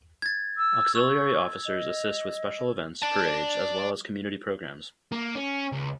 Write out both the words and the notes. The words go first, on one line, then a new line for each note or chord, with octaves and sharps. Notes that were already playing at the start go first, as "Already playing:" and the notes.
Auxiliary Officers assist with special events, parades, as well as community programs.
G#6 A6
E6
C#6 E6
D#5
D5 A5
A#3
C#4
C#2